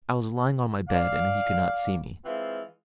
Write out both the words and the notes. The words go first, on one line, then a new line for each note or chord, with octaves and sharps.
I was lying on my bed, and he could not see me.
D5 F5
E3 G#3 C4 F4